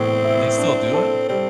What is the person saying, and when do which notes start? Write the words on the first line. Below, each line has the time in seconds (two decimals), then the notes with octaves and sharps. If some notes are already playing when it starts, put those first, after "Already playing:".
they still do it?
Already playing: A2 E3 B3 C4
0.25 E4
0.59 D4
0.94 A4
1.29 G3 C4